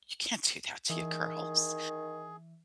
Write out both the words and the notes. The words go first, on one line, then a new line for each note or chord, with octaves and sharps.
you can't do that to your girls.
D#3 E3 G#4